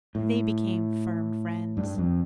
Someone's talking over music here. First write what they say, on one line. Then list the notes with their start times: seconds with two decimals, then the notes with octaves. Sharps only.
They became firm friends.
0.15 A2
1.77 G2
1.98 F2